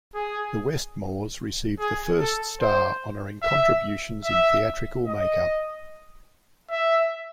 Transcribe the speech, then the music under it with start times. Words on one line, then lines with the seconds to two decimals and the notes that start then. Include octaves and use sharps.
The Westmores received the first star honoring contributions in theatrical make-up.
0.15 G#4
1.79 G#4
2.19 A4
2.61 C5
3.42 E5
4.25 E5
5.07 D#5
6.70 E5